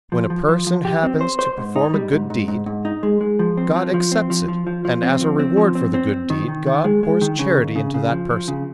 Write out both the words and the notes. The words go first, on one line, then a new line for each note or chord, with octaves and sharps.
When a person happens to perform a good deed, God accepts it and as a reward for the good deed God pours charity into that person.
F3
F3
F3
F3
G4
C4
C5
C5
G#2
D#4
G3
G#2
G#2
G#2
G#2
D#4
G#3
G#3
F3
C4
F3
F3
C4
F3
F3
F3
F3
C4
F3
C4
F3
C4
C4
C4
D#3
D#3
D#3
G#3
G#3
D#3
C#3
D#2
C#3
C#3
F3
F3
C#3